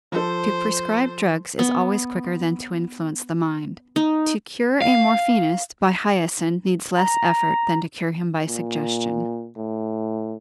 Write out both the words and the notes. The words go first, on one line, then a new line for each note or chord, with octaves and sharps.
To prescribe drugs is always quicker than to influence the mind; to cure a morphinist by hyoscine needs less effort than to cure him by suggestion.
F3 A4 C5
B3
D#4
F5
A#5
A#2
A2